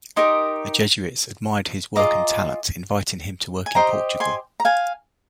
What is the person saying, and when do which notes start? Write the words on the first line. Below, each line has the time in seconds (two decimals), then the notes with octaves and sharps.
The Jesuits admired his work and talent, inviting him to work in Portugal.
0.16 D#4 G4 A#4 C6 D#6
1.96 F4 G#4 D#5 A#5 D6
3.66 G#5
3.75 G4 C5 D#5 G5 A#5
4.20 G#5 C6
4.60 A#5
4.65 F5 G#5